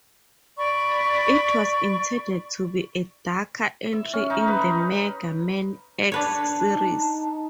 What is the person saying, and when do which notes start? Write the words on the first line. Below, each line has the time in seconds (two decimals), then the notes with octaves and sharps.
It was intended to be a darker entry in the "Mega Man X" series.
0.57 D5 B5 C#6
3.93 E5
4.13 C#4
4.30 D#4
4.48 B4
6.12 D4 B4 C#5 A5
6.72 D#4